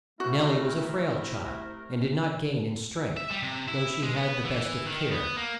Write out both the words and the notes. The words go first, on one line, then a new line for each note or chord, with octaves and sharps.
Nel-lie was a frail child, and did not gain in strength, though she had the best of care.
C3 A3 E4 F#4 A#4
E5
G3
C3
E4
G#3
B3
E3
D#3
B3
A#3